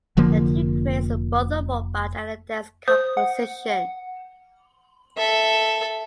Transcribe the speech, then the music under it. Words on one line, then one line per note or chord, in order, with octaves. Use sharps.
A team creates both a robot and a dance composition.
F1 D3 F3 A#3
C5 D#6
F#5
F#5
A4 E5